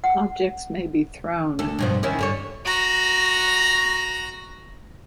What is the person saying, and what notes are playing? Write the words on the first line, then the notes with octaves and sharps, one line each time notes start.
Objects may be thrown.
F#5
D2 A4
G2 B2 F3
D#3 C#4 E4
G2 D3 C#5
F#4 A#5